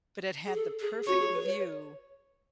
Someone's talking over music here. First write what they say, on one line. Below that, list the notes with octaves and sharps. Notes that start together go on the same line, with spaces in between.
but it had the perfect view
G#4
A4
G#4
F#4 C#5
G#4
B4
C#5
C#5